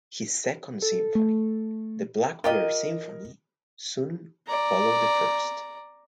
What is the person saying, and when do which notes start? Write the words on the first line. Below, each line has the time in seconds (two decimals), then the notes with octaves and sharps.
His Second Symphony, the "Blackbird Symphony", soon followed the first.
0.82 A4
1.15 A3
2.44 F4 G4 A#4 D#5
4.47 D5 A#5